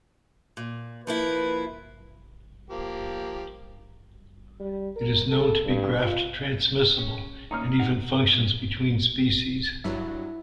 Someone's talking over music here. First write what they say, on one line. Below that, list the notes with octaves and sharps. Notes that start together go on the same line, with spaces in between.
It is known to be graft-transmissible, and even functions between species.
A#2
F3 A#3 E4 B4
F3 A#3 G4
G3
A#4
A4
G2
F4
C#4
A#3 C#4 D#4 A#5 D#6 F6
C3 D#4 F#5
G2 F#3 E4 E5